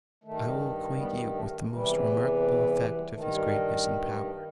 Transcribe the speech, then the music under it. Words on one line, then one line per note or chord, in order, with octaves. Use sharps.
I will acquaint you with the most remarkable effect of his greatness and power.
G2 D#3 A3
G3 B3
A3
E2 C3 E3 G3
A3
G3 B3
A3
G3
G2 D#3 A3
G3
A3
G3
A3
G3 B3
A3